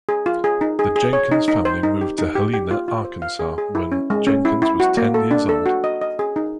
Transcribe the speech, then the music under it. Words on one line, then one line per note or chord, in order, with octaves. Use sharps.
The Jenkins family moved to Helena, Arkansas, when Jenkins was ten years old.
G#4
F4
G#4
D#4
G#4
G#4
C#5
D#4
D#4
C5
D#4
G4
D#4
G4
G4
F4
F4
C5
F5
G#4
G#4
E4
C#4
G#3
C#4
E4
E4
F#4
A#3
A4
D4
A4
F#4
D#5
D#5
G#4
D#4